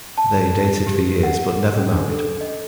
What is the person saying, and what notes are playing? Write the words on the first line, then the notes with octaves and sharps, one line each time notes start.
They dated for years but never married.
A5
G4
F#5
C#4
D4
A4
D#5